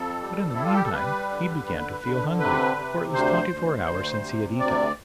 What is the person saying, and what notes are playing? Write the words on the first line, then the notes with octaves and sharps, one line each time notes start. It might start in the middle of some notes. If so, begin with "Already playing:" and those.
But in the meantime, he began to feel hungry, for it was twenty-four hours since he had eaten.
Already playing: F2 A4
G3
G3 E4
F4
G4
A4
G3 B4
D3
D3
D3
C3 B4
C3
D2 C5
D2
D2
C3
D2 D5